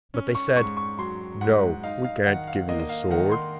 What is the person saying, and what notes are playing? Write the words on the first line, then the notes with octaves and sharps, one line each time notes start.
But they said, 'No, we can't give you the sword.
C#4
C#6
G#2 C#6
C#6
F#3 C6
G#2 F#5
D#4 F5
F5
D#3 F#5
F5
A#3 D#5
D#5
F5
D#3 F#5
C6